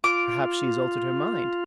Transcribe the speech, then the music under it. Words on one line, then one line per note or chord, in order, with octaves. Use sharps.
"Perhaps she has altered her mind."
F4 D6